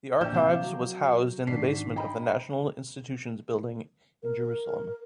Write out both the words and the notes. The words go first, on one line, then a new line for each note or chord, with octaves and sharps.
The Archives was housed in the basement of the National Institutions building in Jerusalem.
A#1 D5 G5 G6 E7
C3 F5 D6
F#3
G#1 D4 B6 C7
D#5 G5 A#5 B5
A#4